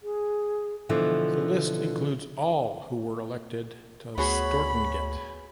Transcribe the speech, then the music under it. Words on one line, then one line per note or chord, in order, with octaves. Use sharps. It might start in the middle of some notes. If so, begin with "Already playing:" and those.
The list includes all who were elected to Stortinget.
G#4
B2 D3 E3 F3
D2 B3 F#4 G#4 C#5 B5